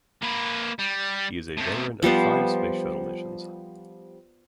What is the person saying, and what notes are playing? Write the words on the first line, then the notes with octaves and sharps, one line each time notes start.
He is a veteran of five Space Shuttle missions.
A#3 B4
G3
A2 C3
F3 G3 B3 C5